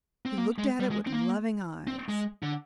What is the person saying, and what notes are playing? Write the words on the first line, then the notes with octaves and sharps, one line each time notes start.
He looked at it with loving eyes.
C4
A#3
G#3
G3
G#3
C4
A#3
C4
G#3
D3